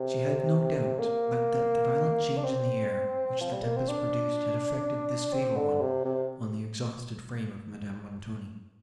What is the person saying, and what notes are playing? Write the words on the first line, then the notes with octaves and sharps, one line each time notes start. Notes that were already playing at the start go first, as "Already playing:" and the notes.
She had no doubt but that the violent change in the air, which the tempest produced, had effected this fatal one, on the exhausted frame of Madame Montoni.
Already playing: C3
A#3
D4
C4
F3
G3
A#3
C4
D4
C4
D3
C3
C3